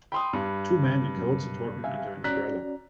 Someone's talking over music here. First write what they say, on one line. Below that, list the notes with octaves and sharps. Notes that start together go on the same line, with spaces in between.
Two men in coats are talking under an umbrella.
G5 B5 C6 D#6
G2
F#2 B2
E5 F5 G#5
C#4 F#4 D5 A#5 F#6 B6